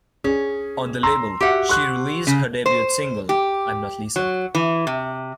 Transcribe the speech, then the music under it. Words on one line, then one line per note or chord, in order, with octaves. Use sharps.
On the label, she released her debut single, I'm Not Lisa.
C#4 G#4
A#5 C6 E6
F#4 G4 E5 F#5
C6 C#6 F#6
C#3
C5
G4
F#3
E3
C3